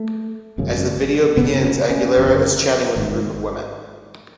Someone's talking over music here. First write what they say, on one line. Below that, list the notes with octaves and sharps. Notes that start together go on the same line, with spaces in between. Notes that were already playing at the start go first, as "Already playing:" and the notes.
As the video begins, Aguilera is chatting with a group of women.
Already playing: A3
G#1 F#2 C#3
F#1 E2 C#3 B3
C#4
C#4
F#1 E2 D3
G#1 G#2